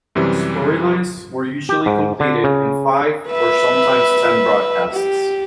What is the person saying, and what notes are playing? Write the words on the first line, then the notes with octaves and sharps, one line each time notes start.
Storylines were usually completed in five, or sometimes ten broadcasts.
F#2 C3 E3 G3
G4
G#2
D3
C#3
B4 E5
G4